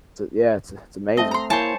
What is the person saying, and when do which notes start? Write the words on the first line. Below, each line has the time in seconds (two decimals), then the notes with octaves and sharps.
so, yeah, it's a it's amazing.
1.17 A3 C4 D#5 E5 A5 D#6
1.31 A#5 C6
1.50 A#3 E4 C5 C#5 G#5 A5